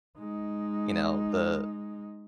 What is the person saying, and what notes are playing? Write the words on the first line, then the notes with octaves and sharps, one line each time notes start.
you know, "The
G#3 D#4